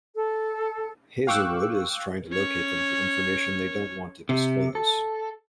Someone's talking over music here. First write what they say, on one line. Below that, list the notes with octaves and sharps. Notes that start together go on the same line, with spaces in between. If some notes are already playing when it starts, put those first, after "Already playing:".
Hazelwood is trying to locate them for information they don't want to disclose.
A4
F5 G5 C#6 D6 E6 F#6
C#4 C#5
C3
A4